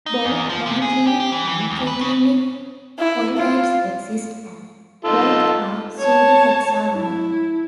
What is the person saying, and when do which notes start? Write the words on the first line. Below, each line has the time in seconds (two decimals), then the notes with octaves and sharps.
Both monoclinic and triclinic polytypes exist and both are pseudohexagonal.
0.06 D#4
0.25 E2
0.49 F3
0.66 C3
0.82 G#4
1.07 G4
1.20 G4
1.32 E3
1.47 E3
1.70 D#2
1.87 B4
2.01 C#3
2.99 E4
3.37 F4
5.05 D#4 F4 A4
5.99 C#5 A5
6.96 E4